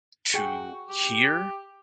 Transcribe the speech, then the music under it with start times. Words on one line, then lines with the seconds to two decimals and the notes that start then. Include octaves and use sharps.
to hear
0.34 F#4 G#4 G5
0.89 G4